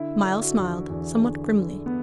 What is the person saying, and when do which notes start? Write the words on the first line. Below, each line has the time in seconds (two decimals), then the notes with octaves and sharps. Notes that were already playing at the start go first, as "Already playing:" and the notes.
Myles smiled somewhat grimly.
Already playing: D3 E4
0.24 D3 D4
0.41 F#4
0.57 E2
0.89 E2
1.21 D3
1.53 D3
1.86 B3